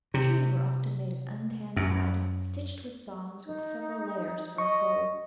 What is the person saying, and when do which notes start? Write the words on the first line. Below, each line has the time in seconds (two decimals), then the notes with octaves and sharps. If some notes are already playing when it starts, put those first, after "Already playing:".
Shoes were often made of untanned hide stitched with thongs, with several layers for a sole.
0.14 C3
1.76 F#2
3.46 D#4
4.58 D#5 C#6